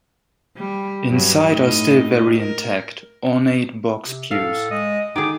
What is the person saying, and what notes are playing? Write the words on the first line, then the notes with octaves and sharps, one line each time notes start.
Inside are still very intact, ornate box pews.
G3
G2 F#3
A2 D#4
A#4
C3
A2 A4 F5
G#3 D#5
D3 D#3 G#4 D6